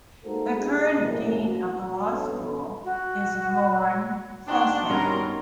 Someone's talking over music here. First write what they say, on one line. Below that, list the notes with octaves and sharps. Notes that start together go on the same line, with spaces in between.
The current dean of the law school is Lorne Sossin.
G#3 A#3 D#4 F#4 A4 C5
D4 E4 G4 G#4
F#2 A2 C3 E3 A#3
F#4
G2 B3 C#4 A4
F#4
C4 D4 D#4 F#4 C6
G2 B2 C#4 A#4